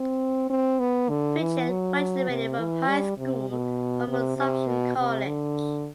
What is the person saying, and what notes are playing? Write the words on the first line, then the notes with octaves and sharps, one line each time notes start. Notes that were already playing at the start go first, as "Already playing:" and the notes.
Pichet graduated from high school from Assumption College.
Already playing: C4
C4
B3
D3
E3
F#3
C3
E3
G3
C3
B2
C3
C3
B2
C3
D3